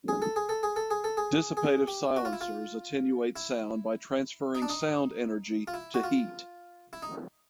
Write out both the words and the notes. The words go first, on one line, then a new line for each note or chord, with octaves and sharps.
Dissipative silencers attenuate sound by transferring sound energy to heat.
G#4
A4
G#4
A4
G#4
A4
G#4
A4
G#4
G#4
G4
F#4
F4
E4
F4
E4
D#4
D4
D#4
F4
E4
F#4
F4
E4
D#4